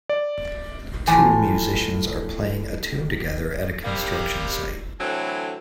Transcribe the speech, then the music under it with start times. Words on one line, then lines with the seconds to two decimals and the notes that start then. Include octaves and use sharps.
Two musicians are playing a tune together at a construction site.
0.09 D5
1.07 A2 E3 F3 G#5
3.85 C3 G3 A#3
5.00 A2 D3 E3 F#3 C4 G#5